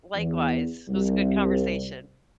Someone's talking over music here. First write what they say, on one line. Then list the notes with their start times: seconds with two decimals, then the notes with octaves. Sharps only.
Likewise. It was a good conversation.
0.15 E2
0.88 C2